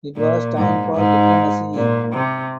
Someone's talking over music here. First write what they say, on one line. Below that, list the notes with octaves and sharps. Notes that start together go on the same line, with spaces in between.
It was time for diplomacy.
A#2
G#2
G#2
A#2
C3